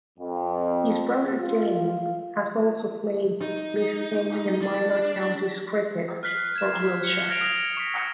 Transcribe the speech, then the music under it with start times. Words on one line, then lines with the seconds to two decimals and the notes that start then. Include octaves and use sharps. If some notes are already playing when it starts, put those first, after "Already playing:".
His brother, James, has also played List A and Minor Counties cricket for Wiltshire.
0.19 F2
1.40 F4
1.87 F5
3.42 D#4
4.61 D4
6.23 F6 F#6 B6 C7
6.56 G#6 E7
7.04 C#7 G7
7.29 F6 G#6 A#6 C7 D7 F7
7.41 D#6 A#6 F7
7.77 C#6 B6